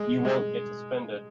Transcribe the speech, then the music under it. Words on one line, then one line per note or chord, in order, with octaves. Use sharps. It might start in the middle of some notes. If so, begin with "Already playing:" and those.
You won't get to spend it.
Already playing: G#3
G#3